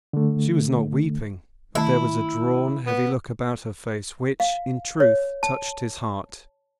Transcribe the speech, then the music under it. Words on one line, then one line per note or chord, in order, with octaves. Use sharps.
She was not weeping, but there was a drawn, heavy look about her face which, in truth, touched his heart.
D3 A3
D#3 A3 E4
B3
F5
C#5
A5